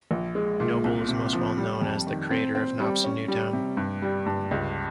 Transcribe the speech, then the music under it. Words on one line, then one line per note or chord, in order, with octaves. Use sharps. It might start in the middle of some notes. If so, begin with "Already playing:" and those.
Noble is most well known as the creator of "Nobson Newtown".
A#1
G#3
A#2
C2
C3
F3
G3
F2
D#3
C4
C4
G3
C#4
G3
C3
G2
G3
G2
C#2